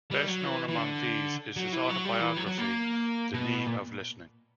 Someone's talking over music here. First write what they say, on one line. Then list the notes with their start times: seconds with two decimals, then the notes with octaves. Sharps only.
Best known among these is his autobiography, The Knee of Listening.
0.11 G3
0.27 F#3
0.44 E3
0.68 E3
0.76 D3
1.56 F#3
1.72 E3
1.89 F#3
2.05 G3
2.21 E3
2.37 F#3
2.47 F#3
2.59 A#3
3.34 B2
3.66 A#2